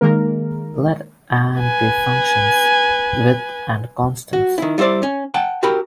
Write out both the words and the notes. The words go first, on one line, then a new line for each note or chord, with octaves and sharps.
Let and be functions, with and constants.
D#3 G#3 A#3 A#4
B4 G#5
F#4
D#3 E4
G3 E4 F#4 C5 D5
C#4
F#5 G5 A5
F#4 G4 A#4 G5 B5